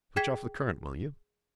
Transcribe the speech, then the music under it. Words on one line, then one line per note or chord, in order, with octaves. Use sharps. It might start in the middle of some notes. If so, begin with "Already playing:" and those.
Switch off the current, will you?
G#4 G5 G#6 B6